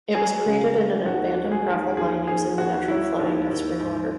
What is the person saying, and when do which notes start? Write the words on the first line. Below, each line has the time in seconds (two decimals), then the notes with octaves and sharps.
It was created in an abandoned gravel mine using the natural flooding of springwater.
0.15 F#3 G#4
0.46 C#3
0.75 F#3
1.06 D#2 F#4
1.37 F#3
1.52 G#4
1.67 D#2
1.97 D#2 G#4
2.27 D#2 G#4
2.58 D#2 F#4
2.88 F#3 E4
3.19 D#2
3.50 D#2
3.80 G#2